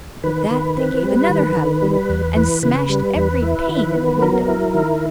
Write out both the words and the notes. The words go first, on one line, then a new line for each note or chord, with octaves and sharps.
With that they gave another halloo, and smashed every pane in the window.
D#3 B4
D#3
C4
G3
D#3
D#3
G3
E2
E3
C#3 B4
G3
E2
E4
D#3
B3
F#3 A#4
E4
D#3